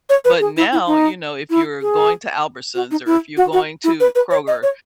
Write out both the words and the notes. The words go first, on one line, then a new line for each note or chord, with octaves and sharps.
But now, you know, if you're going to Albertsons or if you're going to Kroger,
C#5
B4
G#4
E4
E4
D#4
E4
G#4
F#4
D#4
E4
F#4
F#4
E4
B4
B4
C#5
D#5
C#5